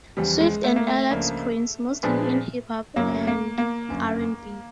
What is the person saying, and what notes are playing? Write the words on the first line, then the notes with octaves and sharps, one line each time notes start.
Swift and Alex Prince, mostly in hip-hop and R and B.
E2 C#3 F3 G3
G#3
A3
A#3
A3
C#2 C#3 F3 A#3 D4
A#2 F3 G#3 B3 D4
F#2 C#3 F#3 A#3
A#3
A#3
G1 F#2 D3